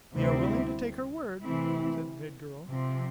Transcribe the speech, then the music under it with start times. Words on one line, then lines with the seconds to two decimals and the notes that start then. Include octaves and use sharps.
"We are willing to take her word," said the head girl.
0.15 D2 C3 G3 C4 E4
1.42 C3 E3 A3 C4 E4
2.69 C3 F3 C4